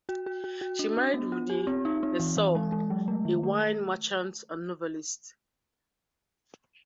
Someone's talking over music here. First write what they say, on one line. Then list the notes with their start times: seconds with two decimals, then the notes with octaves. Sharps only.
She married Rudi Nassauer, a wine merchant and novelist.
0.09 F#4
0.26 F#4
0.44 F#4
0.61 F#4
0.79 D4
0.97 D4
1.14 B3
1.32 F4
1.50 G4
1.67 C4
1.85 D#4
2.03 C4
2.20 E3
2.37 E3
2.55 G#3
2.72 G#3
2.90 F#3
3.08 A3
3.25 D#3
3.43 A3